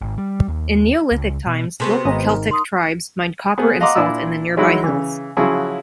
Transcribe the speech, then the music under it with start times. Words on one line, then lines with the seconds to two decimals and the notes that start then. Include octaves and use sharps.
In Neolithic times local Celtic tribes mined copper and salt in the nearby hills.
0.01 G#1
0.18 G3
0.48 D#2
1.12 C#2
1.47 B2
1.80 C3 B3 F#4 G#4 A4 C5
2.05 G#1 D#5 A#5 D#6
2.25 D#4 A#4
2.51 C6 D#6
3.58 B3 G#4 A4 C5
3.80 D#5 F5 F#5 A#5 C6 D6
3.95 A#2 D4 E4 F4 E6
4.57 F#3 G#3 D#4 E4 F#4
4.84 C#3 E3
5.37 C#3 F3 F#3 E4 F#4 G#4